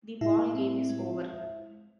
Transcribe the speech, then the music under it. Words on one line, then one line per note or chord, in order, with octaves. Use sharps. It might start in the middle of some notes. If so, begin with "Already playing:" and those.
The ball game is over!
A2 E4 E5
C4
G#3